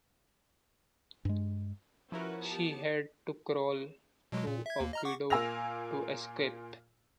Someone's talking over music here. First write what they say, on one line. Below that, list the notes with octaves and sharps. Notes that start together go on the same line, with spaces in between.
She had to crawl through a window to escape.
G2 G#3
F3 C#4 E4 F#4 A#4 B4
B3 G4 A5
B2 F#3 G#3
A#2
E5 G#6
D#2 A#3
D#5 A#5 F6
F#5 C#6 D6
A#2 A#3 G#5 E6 A#6 F7